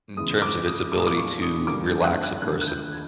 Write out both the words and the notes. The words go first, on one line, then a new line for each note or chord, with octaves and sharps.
In terms of its ability to relax a person
E2 C#3 E3 G#3 D#6
D6
D#6
A#2 F#3 A3 D6
D#6
D6
C#6
D#6
G2 D3 G3 A#3 D6
G6
F#6
F#6
D#2 D3 F3 A3 F#6
F#6
G6
G#6